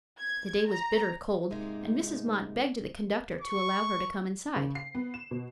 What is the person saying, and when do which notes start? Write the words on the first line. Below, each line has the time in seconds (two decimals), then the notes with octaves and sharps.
The day was bitter cold, and Mrs. Mott begged the conductor to allow her to come inside.
0.19 G#6
0.69 A#5
1.50 G#2 C3 G#3 A#3 D#4
3.41 C#6
4.56 C#3
4.75 C7
4.95 B3
5.14 E7
5.31 B2